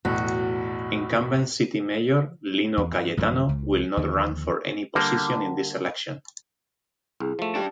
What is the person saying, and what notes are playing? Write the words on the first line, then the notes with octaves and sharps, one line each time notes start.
Incumbent city mayor Lino Cayetano will not run for any position in this election.
B1 E2 A2 F#4
E2
G2
A1 F#2 D3 F3
C#2
D#2 D3 D#3 F3
D3 G3 A#3
C2 E4 G#4
F3 A3
D4 G4